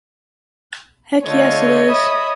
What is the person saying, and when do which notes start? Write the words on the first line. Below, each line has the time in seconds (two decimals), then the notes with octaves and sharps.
Heck yes it is.
1.24 D3 A3 F4 C#5 D#5
1.86 E5 B5 D#6